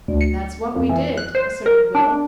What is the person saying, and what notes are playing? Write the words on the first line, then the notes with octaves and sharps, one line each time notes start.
"That's what we did," asserted Will.
D2
C#7
F2
E3
F#6
C5
A#4
D4